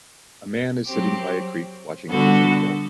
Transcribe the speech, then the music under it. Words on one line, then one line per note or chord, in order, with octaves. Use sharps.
A man is sitting by a creek, watching a fishing pole.
F#3 C4 G4
D3 G3 B3 F#4 A4